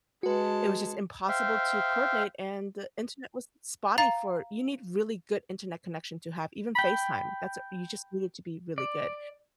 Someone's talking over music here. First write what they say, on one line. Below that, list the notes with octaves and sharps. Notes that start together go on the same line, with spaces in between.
it was just impossible to coordinate, and the internet was spotty for you need really good internet connection to have, even FaceTime, that's a you just need it to be really good.
G#3 F#4 B4 A5
C5 E5 F5 G5
F5 A#5 A6
G5 B5
D5